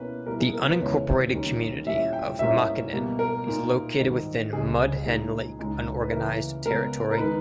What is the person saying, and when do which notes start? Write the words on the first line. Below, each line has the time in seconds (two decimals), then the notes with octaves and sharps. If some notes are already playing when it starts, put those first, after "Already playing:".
The unincorporated community of Makinen is located within Mud Hen Lake Unorganized Territory.
Already playing: B2 A#3 C#4 E4 B4
0.26 B2 G3 A#3 E4 A#4
0.40 G#4
0.54 A#4
0.67 B4
0.80 E2 C#3 G#3 C#4 E4 C#5
1.33 D#2 D#3 G3 A#3 C#4
1.87 A#2 G3 C#4 E4 E5
2.13 G5
2.39 G#2 G3 A#3 C#4 E4 E5
2.93 B2 G3 A#3
3.19 A#4
3.47 A#2 A#3 D#4
4.00 G#2 D#3 G3
4.53 C#2 C#3 G3 G#4
5.06 A#2 G#3 D#4 G#4
5.59 C#2 C#3 G#3 D#4
6.01 B4
6.12 C#3 E3 A#3 A#4
6.66 C#3 G#3 B3 A#4
7.11 A#4
7.18 D#3 G#3 D#4 B4